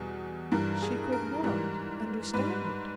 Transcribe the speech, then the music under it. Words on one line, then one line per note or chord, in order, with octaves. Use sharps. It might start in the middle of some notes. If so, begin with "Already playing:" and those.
She could not understand it.
Already playing: E2 B2 G3 G#4
G2 E3 G3 A#4
G#4
A#4
G#2 E3 G3
G#2 G3 B4